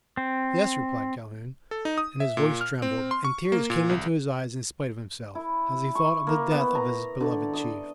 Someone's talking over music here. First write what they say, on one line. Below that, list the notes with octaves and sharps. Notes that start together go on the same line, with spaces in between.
"Yes," replied Calhoun; and his voice trembled, and tears came into his eyes in spite of himself, as he thought of the death of his beloved chief.
C4
A4
D#4
D#6
E5
A#2
F6
C4
C6
C#6
A#3
A#2
C2
E4
C#6
A#3
B3
A#5
D3
D#5